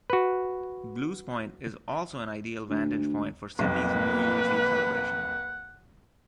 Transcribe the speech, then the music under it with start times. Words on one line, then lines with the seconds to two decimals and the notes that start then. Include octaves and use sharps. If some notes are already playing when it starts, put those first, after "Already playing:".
Blues Point is also an ideal vantage point for Sydney's New Years Eve celebration.
0.10 F#4 B4
2.69 D2
3.59 B1 F2 A#3 B4 F#5